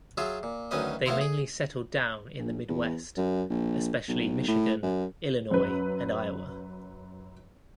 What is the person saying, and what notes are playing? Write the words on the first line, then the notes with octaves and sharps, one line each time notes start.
They mainly settled down in the Midwest, especially Michigan, Illinois and Iowa.
F#3 F4 G#4 E5
A#2
D2 D#3 F#3 C#4 B4 D#5
A2 F3 B3 E4 A#5 C6
G#4
A#1
E2
F#2
A#1
B1
A2
F#2
F#2 B4